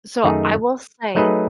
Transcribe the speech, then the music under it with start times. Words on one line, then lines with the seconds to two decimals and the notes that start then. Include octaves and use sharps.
So, I will say
0.24 F#2 D#3 A3 D#4 G#4
1.15 F#3 A3 D#4 G#4 B4